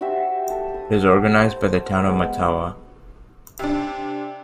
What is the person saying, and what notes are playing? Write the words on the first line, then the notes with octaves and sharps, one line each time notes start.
It is organized by the Town of Mattawa.
F#4 G4 C5 E5
A4
D#6
C5
G#3 B3
C3 D4